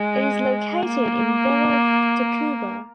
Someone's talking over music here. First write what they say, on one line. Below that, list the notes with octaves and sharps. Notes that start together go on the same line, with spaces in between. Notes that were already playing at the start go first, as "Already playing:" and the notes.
It is located in Villa of Tacuba.
Already playing: G#3
A#3